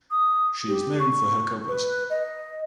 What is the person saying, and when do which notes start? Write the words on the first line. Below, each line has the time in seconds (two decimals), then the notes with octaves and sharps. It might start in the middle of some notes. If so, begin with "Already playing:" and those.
She is known for her covers.
0.11 D#6
0.68 G4
0.99 C#6
1.68 B4
2.10 D#5